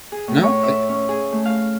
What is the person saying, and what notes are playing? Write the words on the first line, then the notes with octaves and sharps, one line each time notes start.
No, uh
G#4
A2
C#5
E5
C#4
G#4
A3
F5